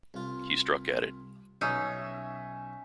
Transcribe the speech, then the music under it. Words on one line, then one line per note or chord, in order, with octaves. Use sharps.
He struck at it.
C2 F4
B1 C#4 D#4 E5